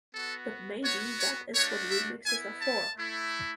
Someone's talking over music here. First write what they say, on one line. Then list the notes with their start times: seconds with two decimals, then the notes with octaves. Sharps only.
But maybe that is what remixes are for.
0.14 B3 F#4 A4
0.85 B3 F#4 C#5
1.20 C#5
1.55 A3 D4 F#4 C#5
1.91 E5
2.26 B3 E4 G#5
2.61 A5
2.97 A3 E4